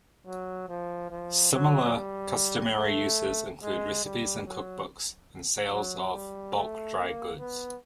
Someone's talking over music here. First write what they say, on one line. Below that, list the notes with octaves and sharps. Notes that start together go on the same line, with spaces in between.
Similar customary uses include recipes in cookbooks and sales of bulk dry goods.
F#3
F3
F3
F#3
G3
A3
G#3
G3
F#3
F#3
G3
A3
A#3
B3